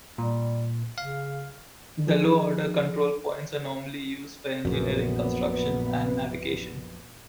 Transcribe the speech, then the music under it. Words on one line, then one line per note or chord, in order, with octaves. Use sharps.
The lower-order control points are normally used for engineering, construction and navigation.
A#2 G3
C#3 F5
F3 G#4 G#6
A#1 F#2 A#2 B3